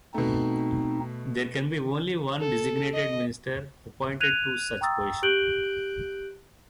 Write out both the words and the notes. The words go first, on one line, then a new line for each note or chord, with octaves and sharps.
There can be only one designated minister appointed to such position.
B2 A3 C4 D#4
A4
D#5
F#6 G#6 D#7 F7
G5 A#5 C#6 D#6 E6 A6
G4 F#6 G6 D7 F#7 G7